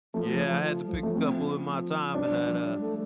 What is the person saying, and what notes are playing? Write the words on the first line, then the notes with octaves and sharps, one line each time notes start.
Yeah, I had to pick a couple in my time, and I'd, uh
F3 A3
F3
F3
G3
F3
A3
F3 C4
G3 D4
F3
F3
G3
A3